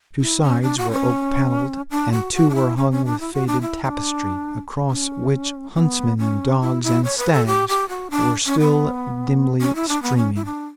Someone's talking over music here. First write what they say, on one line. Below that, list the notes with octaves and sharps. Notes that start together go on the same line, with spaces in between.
Two sides were oak-panelled and two were hung with faded tapestry, across which huntsmen and dogs and stags were still dimly streaming.
E4
C#4
D4
F#4
C#4
D4
F#4
F#4
D4
E4
C#4
C#4
D4
E4
F#4
D4
E4
E4
D4
C#4
C#4
B3
C#4
E4
E4
C#5
B4
A4
G4
G4
F#4
D4
C#4
B3
C#4
E4
D4
B3
C#4
E4
D4